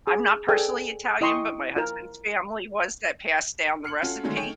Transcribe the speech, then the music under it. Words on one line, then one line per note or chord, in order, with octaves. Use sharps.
I'm not personally Italian, but my husband's family was, that passed down the recipe.
G#4
G#4 A4 B4 D5 G5 G#5
E4 D#5 G5 C6 C#6 D#6
F4 A#4
F6 C7 C#7 F#7
C#4 F4 F#4 A4
D3 D#3 F#3 G#3 A3 C#4
A3 D#4 G#4 C#5 G5